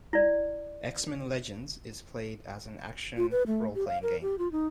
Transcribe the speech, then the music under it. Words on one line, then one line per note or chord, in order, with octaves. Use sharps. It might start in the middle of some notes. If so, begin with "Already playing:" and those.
"X-Men Legends" is played as an action role-playing game.
E4 D5
F4
B4
A3
G4
F5
A#4
G4
F4
D#4